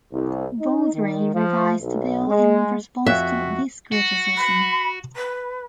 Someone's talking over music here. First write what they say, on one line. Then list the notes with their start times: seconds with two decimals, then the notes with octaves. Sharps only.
Vodrey revised the bill in response to this criticism.
0.13 C2
0.60 D#4
0.93 D#3
1.35 F3
1.81 B1
2.28 G#3
3.06 F2 F#4 E5 G5 F#6 B6
3.92 F#4
4.37 B5
5.15 B4